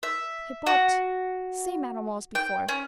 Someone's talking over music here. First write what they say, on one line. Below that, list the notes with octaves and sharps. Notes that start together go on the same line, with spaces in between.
Hippot--same animal as before.
E5
F#4
G5
C#4